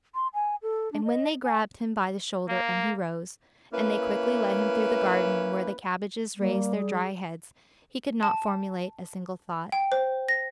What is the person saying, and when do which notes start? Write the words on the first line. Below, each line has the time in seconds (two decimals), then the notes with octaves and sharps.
And when they grabbed him by the shoulder and he rose, and they quickly led him through the garden where the cabbages raised their dry heads, he could not formulate a single thought.
0.15 C6
0.34 G#5
0.62 A4
0.92 D4
1.05 D#5
1.45 G#5
2.48 A#3
3.73 A#3 C#4 E4 B4
6.38 G3 A#3
6.76 G#4
8.23 A5
9.72 G5
9.92 C5
10.28 A#6